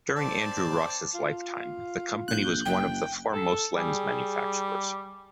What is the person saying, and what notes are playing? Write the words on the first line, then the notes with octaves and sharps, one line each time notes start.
During Andrew Ross's lifetime, the company was one of the foremost lens manufacturers.
C4 D5 A5
F4
A#1 F#6 G6
F#1 G5
A4
G3 G#4